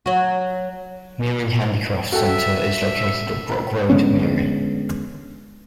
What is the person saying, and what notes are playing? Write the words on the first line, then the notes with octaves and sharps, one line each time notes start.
Miri Handicraft Centre is located at Brooke Road, Miri.
F#3 F#4
F#4 A4 E5 G5
D3 G#3 B3 C#4